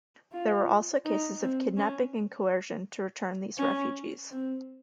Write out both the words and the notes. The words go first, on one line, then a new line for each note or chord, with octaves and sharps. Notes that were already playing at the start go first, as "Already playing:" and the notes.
There were also cases of kidnapping and coercion to return these refugees.
F4
D#4
C4
C#4
C#4
C4